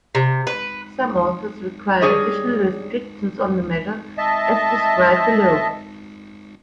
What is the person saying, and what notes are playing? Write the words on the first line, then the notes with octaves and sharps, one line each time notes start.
Some authors require additional restrictions on the measure, as described below.
C3
B4
G3 D4 G#4 C#5 D#5
D#5 E5 A5